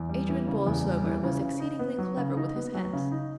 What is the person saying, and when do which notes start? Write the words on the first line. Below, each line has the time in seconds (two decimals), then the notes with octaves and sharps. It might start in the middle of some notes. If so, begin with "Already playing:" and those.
Adrian Borlsover was exceedingly clever with his hands.
Already playing: E2
0.09 G3
0.29 E3
0.47 C#3
0.67 E2
0.84 G3
1.04 E3
1.23 C#3
1.41 C#3
1.60 D#4
1.79 B3
1.98 F#3
2.17 C#3
2.37 D#4
2.56 B3
2.75 F#3
2.93 C#3
3.11 D#4